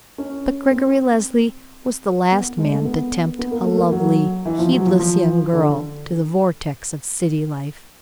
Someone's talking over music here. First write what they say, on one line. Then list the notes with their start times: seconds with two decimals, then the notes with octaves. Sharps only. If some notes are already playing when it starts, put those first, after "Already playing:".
But Gregory Leslie was the last man to tempt a lovely, heedless young girl to the vortex of city life.
0.18 C#4
0.71 C4
2.32 B3
2.58 G#3
2.72 A3
2.85 B3
3.39 B3
3.51 A#3
3.64 A3
3.77 A#3
3.92 F#3
4.45 E3
4.59 F3
4.72 F#3
4.86 F3
4.99 F3
5.53 D3